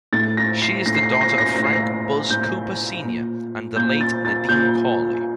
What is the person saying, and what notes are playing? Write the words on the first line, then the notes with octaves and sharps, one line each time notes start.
She is the daughter of Frank "Buzz" Cooper Senior and the late Nadine Corley.
A2 A6
A#6
C7
A2 A#6
C7
A#6
C7
A#6
C7
A#6
C7
A2 A#6
C7
A#6
A2 G6
A#2
A#2 G6
A6
A6
A#2 G6